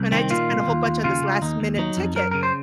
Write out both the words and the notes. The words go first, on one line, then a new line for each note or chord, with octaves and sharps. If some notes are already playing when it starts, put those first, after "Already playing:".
And I just spent a whole bunch on this last minute ticket.
Already playing: C2
D#3 C4
A#2 F4
C2
D#2
D#2
C#3 F4
C#2
D#2 D#4
D#2
F#3 D#4
F2
F#2 A#4
C#3 A#4
C5